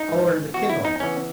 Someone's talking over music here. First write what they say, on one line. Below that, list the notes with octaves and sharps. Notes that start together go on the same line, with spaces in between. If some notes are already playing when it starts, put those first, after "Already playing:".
I'll order the kindling!
Already playing: D#4
G#2 E3
E2 B2 F#4
E4
D#4
E2 C#3 E3 C#4